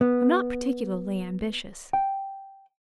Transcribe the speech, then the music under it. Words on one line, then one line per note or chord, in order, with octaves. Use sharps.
I'm not particularly ambitious.
B3
G5